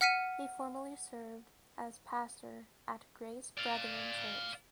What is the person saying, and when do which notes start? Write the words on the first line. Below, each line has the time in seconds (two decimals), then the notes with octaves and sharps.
He formerly served as pastor at Grace Brethren Church.
0.01 F#5 F6 B6 C#7 D#7
3.58 D5 F5